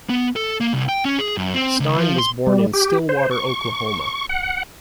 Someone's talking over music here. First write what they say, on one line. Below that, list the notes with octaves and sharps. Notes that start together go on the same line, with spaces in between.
Stine was born in Stillwater, Oklahoma.
B3
A4
A#3
C2
G5
C#4
G#4
F#2
C4
C#2
F3
C6
G3
G4
C5
C#6
F#5